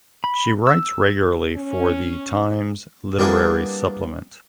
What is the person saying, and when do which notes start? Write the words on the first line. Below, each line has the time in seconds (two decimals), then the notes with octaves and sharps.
She writes regularly for the Times Literary Supplement.
0.24 B5
0.67 E6
1.55 C#4
3.19 G3 A#3 B3 D4 E4 G#4